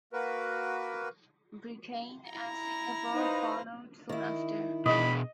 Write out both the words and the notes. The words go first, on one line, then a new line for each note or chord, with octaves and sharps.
Britain and Singapore followed soon after.
A#3 F#4 A#4 B4
E4 A#5
D#4 B4 C5 F5
D#3 E4
B2 D4 G#4 D#5 B5